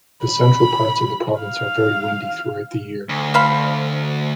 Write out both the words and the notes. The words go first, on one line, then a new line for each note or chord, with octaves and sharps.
The central parts of the province are very windy throughout the year.
B5
F5
D2
C5 F5 B5